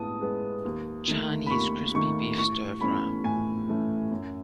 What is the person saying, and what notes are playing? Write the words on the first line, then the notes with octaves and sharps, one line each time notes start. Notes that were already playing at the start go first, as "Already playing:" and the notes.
Chinese crispy beef stir fry.
Already playing: A2 G#3 B3 A5 D#6
G#3 B3
D#2
D#3 A3
B5
D#2 C#6
D#3 A3 C#6
A2 C#6
E3 A3 C#4 B5
A2 G#5
E3 A3 C#4
F#2